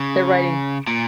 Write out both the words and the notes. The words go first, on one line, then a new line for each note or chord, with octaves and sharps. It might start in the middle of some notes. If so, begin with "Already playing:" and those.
Their writing.
Already playing: C#3
A#2